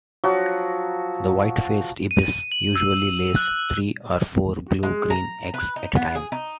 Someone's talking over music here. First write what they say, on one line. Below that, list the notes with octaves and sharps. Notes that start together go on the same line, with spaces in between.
The white-faced ibis usually lays three or four blue-green eggs at a time.
F3 F#3 F#4
D#7
F#7
E6
F#6
G#3
A#5
B4
D#4
B3
G#4
D#4